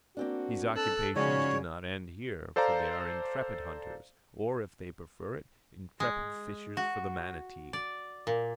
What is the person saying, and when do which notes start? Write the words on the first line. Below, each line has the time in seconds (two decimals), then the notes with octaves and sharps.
These occupations do not end here, for they are intrepid hunters, or, if they prefer it, intrepid fishers for the manatee.
0.17 A#3 C4 D4 F#4
0.76 A4 A5 E6 F#6
1.15 C#3 F3 G#3 C#4 D#4 F#4 C#5 D5
2.56 A4 C5 D5 F5 A#5
6.00 G#3
6.77 F#4
7.73 D5
8.27 A#2